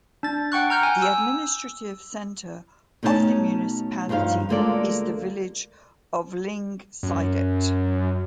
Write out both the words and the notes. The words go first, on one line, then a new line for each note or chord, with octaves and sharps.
The administrative centre of the municipality is the village of Lyngseidet.
D4 A6
F#5 G5 C#6 F#6
A#5 F6 G6
G#5
E6
B2 A3 C#4 D#4 E4 A5
G2 F3 D#4 C#5 F5
D2 G#3 A#3 F4 A4 D5
F#2